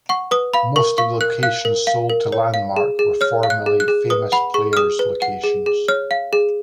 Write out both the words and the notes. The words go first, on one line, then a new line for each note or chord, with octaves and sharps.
Most of the locations sold to Landmark were formerly Famous Players locations.
F#5 C#6
B4 D#6
F5 B5
A#4 C#6
F5 C#6
A#4 F#6
F5 F#6
A#4
F5
A#4
C#5
F5
G#4
G#4
C#5 F6
F5
F#6
G#4
F#6
G#4
B4 D#6
F#5 B5
G#4 C#6
F6
G#4 D#6
B4
F#5
G#4
G#4
C#5 F6
F5
G#4